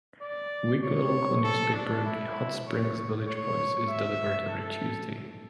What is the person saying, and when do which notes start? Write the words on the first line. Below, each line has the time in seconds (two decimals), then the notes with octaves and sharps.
A weekly local newspaper, the "Hot Springs Village Voice", is delivered every Tuesday.
0.22 D5
0.83 C#5
1.44 A4
1.74 D4
2.05 E4
2.67 C#5
3.28 C#5
3.89 E5
4.50 A4